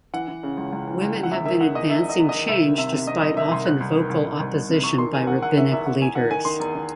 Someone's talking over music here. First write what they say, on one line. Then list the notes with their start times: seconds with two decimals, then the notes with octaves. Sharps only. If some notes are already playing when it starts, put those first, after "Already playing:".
Women have been advancing change despite often vocal opposition by rabbinic leaders.
0.13 E3 F#5
0.28 E3
0.43 C#3
0.57 C#2
0.73 C#2
0.87 E3
1.01 C#2
1.16 C#2
1.23 F#5
1.31 E2 E5
1.46 D#3 E5
1.60 E2 F#5
1.75 E2 D#5
1.90 E2 E5
2.04 D#3 D#5
2.19 E2
2.29 D#5
2.34 D#3
2.48 C2 E5
2.63 D#3
2.78 C3 E5
2.92 C3
3.07 C3 D#5
3.21 C2 D#5
3.37 D#3 E5
3.51 C2 C6
3.66 C2 F#6
3.80 C2
3.95 D#3
4.10 C2
4.25 C2
4.39 C2
4.54 C2
4.69 C3
4.83 E2 C#6
4.98 D#3 C6
5.13 E2 G#5
5.27 D#3 F#5
5.42 E2 F#5
5.57 D#3 E5
5.72 E2 E5
5.86 E2 F#5
6.01 E2 G#5
6.15 D#3 F#5
6.30 D#3 G#5
6.45 D#3 C6
6.60 E2
6.75 D#3